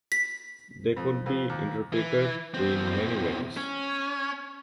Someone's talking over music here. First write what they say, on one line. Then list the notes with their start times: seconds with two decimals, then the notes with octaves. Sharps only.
They could be interpreted in many ways.
0.12 B6
0.97 F2
1.26 F2
1.50 D#2
1.92 E3
2.54 E2 C4
3.57 C#4